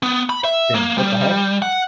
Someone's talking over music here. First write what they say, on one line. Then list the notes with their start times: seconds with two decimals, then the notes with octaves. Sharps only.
then, "What the heck?"
0.03 B3
0.29 B5
0.44 E5
0.74 A#3
0.98 G3
1.62 F#5